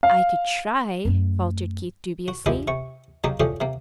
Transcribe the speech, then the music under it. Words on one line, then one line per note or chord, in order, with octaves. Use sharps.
"I could try," faltered Keith dubiously.
F5
F#2 A3
F#4
D#2 F3 G#3 E4 G4 G#5
C3 C#6
C#3 F#3 A#3 D#4 G4
A2 D3 F3 C#4 G4 G#4
C3 A#3